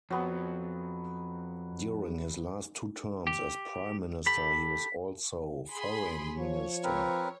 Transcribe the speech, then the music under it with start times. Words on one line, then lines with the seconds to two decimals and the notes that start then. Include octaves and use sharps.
During his last two terms as prime minister, he was also foreign minister.
0.10 F2 F#3 B3
3.27 G4
4.26 G4 A4 B5 B6
5.70 G#4 B5 C6
6.38 F3 C#5
6.84 C4 A#4 B4